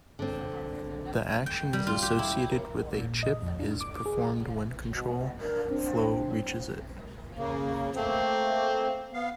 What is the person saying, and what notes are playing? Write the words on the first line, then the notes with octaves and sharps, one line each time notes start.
The action associated with a chip is performed when control flow reaches it.
D3 C4
G5
G3
F4
G4
E4
A#4
A#2
D#5
F2
D4
D6
G#4
B2
D4 A#4
C4 D4
C#3 A#3
A3 A#3 C4
B3 F5